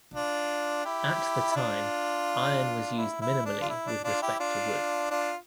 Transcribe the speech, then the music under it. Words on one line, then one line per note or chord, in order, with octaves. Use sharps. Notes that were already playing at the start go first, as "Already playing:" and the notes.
At the time, iron was used minimally with respect to wood.
D4 F4
E4 G4
E4
D4 F4
E4
E4
D4
F4
E4
D4
D4 F4
E4 G4
D4 F4
D4 F4